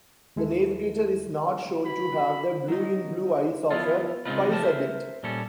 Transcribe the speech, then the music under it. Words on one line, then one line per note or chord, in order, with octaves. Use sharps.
The Navigator is not shown to have the blue-in-blue eyes of a spice addict.
D#2 G#3 E4 A4
F#4 B5
F#3 D#4
F3 B3 E4 F4
C#3 G#3 C4 D#4 F4 B4
F3 A3 A#4 A5
A#4 C5 E5
A#2 G3 C#4 A4